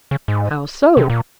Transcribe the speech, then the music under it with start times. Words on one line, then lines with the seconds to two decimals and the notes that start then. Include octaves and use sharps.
How so?
0.11 C#3
0.28 G#2
0.97 C3
1.10 A#2